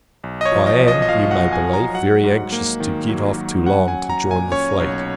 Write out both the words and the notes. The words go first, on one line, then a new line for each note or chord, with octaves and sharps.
I am, you may believe, very anxious to get off Toulon, to join the fleet.
B1
D#5
C#5
F3
D#5
B1
D#5
D#5
F3 F5
F#5
B1
G#5
B1
A#5
F#3 F#5
G#2
A#3
D#3
F#3
F#3
C#4 F#5
G#5
F#3
A#5
A#2
G#5
C#4 C#5
B1